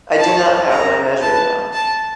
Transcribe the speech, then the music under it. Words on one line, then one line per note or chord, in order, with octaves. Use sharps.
I do not have my measure now.
C5 A5
C#5
C5
C#5
C5
C#5 A#5
A#4 C5
B4 A5
A5